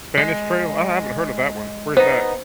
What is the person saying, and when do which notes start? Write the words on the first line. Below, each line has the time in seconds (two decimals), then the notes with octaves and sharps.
Spanish Trail? I haven't heard of that one. Where is that?
0.18 G#3
1.97 B3 D#4 C5